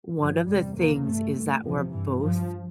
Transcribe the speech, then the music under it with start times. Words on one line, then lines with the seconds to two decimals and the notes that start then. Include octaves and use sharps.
one of the things is that we're both
0.19 G2 F3
0.48 E2 C3 G3
0.77 E2 C3 A#3
1.06 G2 A3
1.35 G2 A3
1.64 E2 C3 F3
1.92 G2 E3
2.21 G2 F3